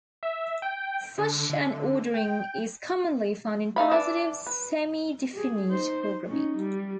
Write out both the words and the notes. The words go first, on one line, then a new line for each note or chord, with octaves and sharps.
Such an ordering is commonly found in positive semidefinite programming.
E5
G5
D3
D3
G5
A3 D#4 F5 B5
E3 D4 E5
B4
G4 G#4
D#4 C5
C#4 D#4
G3